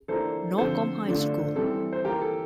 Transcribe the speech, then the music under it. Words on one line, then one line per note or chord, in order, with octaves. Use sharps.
Norcom High School.
E3 A#3 D4 F4 A4 C5
D3 F3 C4 F4 A4 C5
D3 A3 D4 F4
E3 G3 C4 A4
C5
E3 A#3 F4 G4 A#4
A4